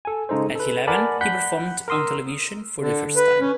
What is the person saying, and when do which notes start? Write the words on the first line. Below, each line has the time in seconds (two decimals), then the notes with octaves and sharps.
At eleven, he performed on television for the first time.
0.05 A4 G#5
0.29 C#3 G#3 D#4 A4 C5
0.55 A4 B4
0.87 A#4 D5 F#5 G#5 A5 B5
1.21 F#5 B5 F#6 G6 B6
1.88 A#4 A#5 C6 D#6 E6
2.81 D3
3.16 B4
3.40 C#4